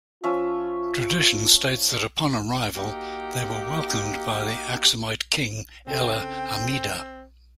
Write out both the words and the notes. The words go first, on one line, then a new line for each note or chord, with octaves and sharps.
Tradition states that upon arrival they were welcomed by the Axumite king Ella Amida.
F3 C#4 F4 E5
A#3 D#4 F#4 G4
C#3 C4 A4 G5